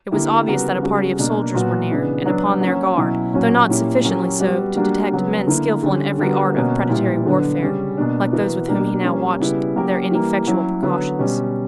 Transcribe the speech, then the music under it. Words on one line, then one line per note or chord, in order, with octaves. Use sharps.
It was obvious that a party of soldiers were near, and upon their guard, though not sufficiently so to detect men skilful in every art of predatory warfare, like those with whom he now watched their ineffectual precautions.
D3 A#3 E4 G4
C#3 G3 B3 F#4 A#4
C#3 G3 B3 F#4 A#4
B2 A#3 D4
A#2 F#3 B3 F#4
C#3 E3 B3 D4
F#3 B3 D4
F#3 A#3 C#4
B2 F#3 C#4 E4
A#2 F#3 A#3 C#4 F#4
A#2 A#3 C#4 E4 G4
F#3 C#4 G4 A#4
G3 B3 F#4
G3 A#3 D4 F#4
C#3 F#3 B3
D3 A#3 E4
D3 G3 C#4
D3 G3 B3 F#4 A#4
B2 A#3 C#4 F#4
A#2 G3 B3 E4
D3 F#3 B3 D4
C#3 G3 C#4
B2 A#3 D4
E3 B3 F#4 A#4
B2 A#3 D4 G4
G3 A#3 C#4
C#3 G3 B3 E4
F#3 A#3 C#4 G4 A#4
E3 G3 A#3
F#3 C#4 E4
D3 F#3 B3 F#4
B2 G3 C#4